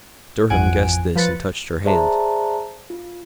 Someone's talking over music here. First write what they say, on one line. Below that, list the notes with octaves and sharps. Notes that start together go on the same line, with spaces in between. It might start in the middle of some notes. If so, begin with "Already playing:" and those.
Durham guessed this and touched her hand.
A1 F2 F#5 G#5 D7
F3 B4 A6 C#7
G#4 C5 D5 E5 A5 A#5
F4